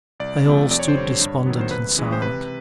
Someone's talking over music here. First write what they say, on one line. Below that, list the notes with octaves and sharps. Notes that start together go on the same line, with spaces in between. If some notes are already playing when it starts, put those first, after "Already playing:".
They all stood despondent and silent.
C2 D5
C3 F3 A3
F2 D5
C#5
C5
D3 G3 C#5
G2
D#3 F#3 B3
C5
C#2 B4
C#3 E3 G#3
C5
C3 B4